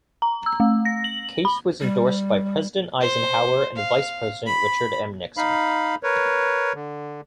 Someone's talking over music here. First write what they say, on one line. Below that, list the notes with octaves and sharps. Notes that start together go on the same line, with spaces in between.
Case was endorsed by President Eisenhower and Vice President Richard M. Nixon.
A#5
E6
A3
A#6
F#7
B5
G3
C5
F5
B5
D#4 F5 B5
A#4 B4 C#5
D3